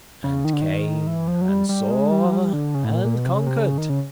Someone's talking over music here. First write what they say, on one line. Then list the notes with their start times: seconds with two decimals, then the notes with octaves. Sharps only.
And came, and saw, and conquered.
0.24 C#3
0.45 D#3
0.53 D3
0.61 D#3
1.07 E3
1.28 F3
1.41 F#3
1.49 G3
1.69 G3
1.90 G#3
2.11 G3
2.26 F#3
2.32 G3
2.53 D3
2.74 C#3
2.84 A2
2.94 A#2
3.05 A#2
3.16 B2
3.26 C3
3.37 C#3
3.46 C3
3.57 C#3
3.78 D#3
3.89 C#3